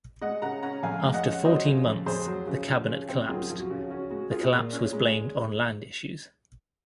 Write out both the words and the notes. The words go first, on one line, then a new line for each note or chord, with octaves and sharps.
After fourteen months, the cabinet collapsed; the collapse was blamed on land issues.
G#3 D#5 F#5
C#3 F#5 A#5
C#4 F#5 A#5
F2 F5 G#5
G#3
D#5 F#5
C#3
F#3 C5 D#5
C#3
F2
F2 G#4 C5
F#3
C#3
F3
C#3
C4
F#2 F4 G#4
F3
F#4
C#3
C#4 F#4
G#3 F#4
F4 G#4
A#2
C#4
G#3